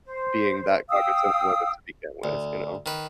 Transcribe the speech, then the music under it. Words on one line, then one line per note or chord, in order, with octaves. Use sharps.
being that cognizant of women to begin with, you know?
C5
F5 G5 D#6 E6
D2
D#3 B4